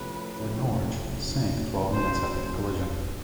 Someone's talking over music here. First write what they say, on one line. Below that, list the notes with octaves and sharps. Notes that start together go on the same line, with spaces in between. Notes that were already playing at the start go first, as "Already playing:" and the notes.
The "Norge" sank twelve minutes after the collision.
Already playing: C2 C3 F3 A3 C#4 B4
C2 C3 F3 A3 C#4
F#1 F#2 C#3 F#3
F#1 F#2 C#3 F#3 C5